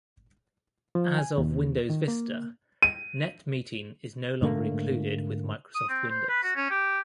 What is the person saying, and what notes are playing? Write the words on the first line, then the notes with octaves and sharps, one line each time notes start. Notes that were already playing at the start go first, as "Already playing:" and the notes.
As of Windows Vista, NetMeeting is no longer included with Microsoft Windows.
F3
G#5
D#2
D#3
A#3
D#7
G#2 D3 A3 A#3
D#6
C4
C5
B4
F#4
C#4
G4